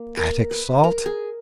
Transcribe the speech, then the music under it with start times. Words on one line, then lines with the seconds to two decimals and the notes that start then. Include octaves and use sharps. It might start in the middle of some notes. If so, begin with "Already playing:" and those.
"Attic salt?"
Already playing: A#3
0.17 A#4
0.51 B4
0.84 A#4
1.06 G#4